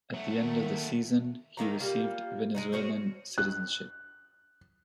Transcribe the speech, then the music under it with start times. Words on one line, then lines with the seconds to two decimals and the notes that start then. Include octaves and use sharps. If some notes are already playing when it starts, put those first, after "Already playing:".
At the end of the season, he received Venezuelan citizenship.
0.14 F#3 A3 E5
0.41 D#3 A#3
1.57 A2 D#3 A#3 A#5
1.79 G3 G#3 A#3 F4
2.55 G#3 B3 D#4
2.72 C#4 F#4 G#4 C5
3.38 F#6